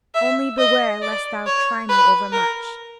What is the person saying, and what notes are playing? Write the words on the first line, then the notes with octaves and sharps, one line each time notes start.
Only beware lest thou try me overmuch.
E5
D#5
D5
C#5
B4
A#4